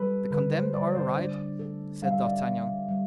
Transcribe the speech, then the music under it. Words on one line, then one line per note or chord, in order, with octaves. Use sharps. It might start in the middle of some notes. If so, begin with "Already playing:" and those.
"The condemned are arrived," said D'Artagnan.
Already playing: G3 A4 B4
D3 B4
C5
G3 D5
C5
D4 D5
A4
G3 F5
E5
D5
E5
G3
G3